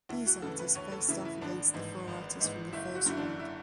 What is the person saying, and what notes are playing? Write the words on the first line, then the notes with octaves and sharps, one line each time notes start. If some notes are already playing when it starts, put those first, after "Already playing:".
These artists faced off against the four artists from the first round.
D2 E4
F#4
C#3 E3 A4
B4
D2 C#5
A4
C#3 E3 E4
E4
G#1 D4
G#2 E3
G#1
G#2 E3
F#1 E4
F#4
F#2 D3 E4
D4
E4